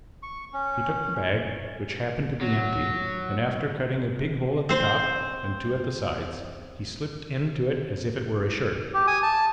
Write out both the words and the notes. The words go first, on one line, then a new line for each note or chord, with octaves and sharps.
He took the bag, which happened to be empty, and after cutting a big hole at the top and two at the sides, he slipped into it as if it were a shirt.
C#6
C#4
F#3
C4 C5
G4
G#5 D#6
A5